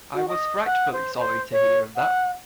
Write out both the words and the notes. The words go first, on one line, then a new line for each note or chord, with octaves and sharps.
I was frightfully sorry to hear of that.
F#4
D#5
F#5
C5
C5
C#5
F#5